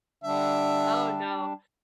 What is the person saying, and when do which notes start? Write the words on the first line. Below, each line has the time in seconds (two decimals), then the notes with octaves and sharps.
Oh no.
0.24 D3 G3 D4 E5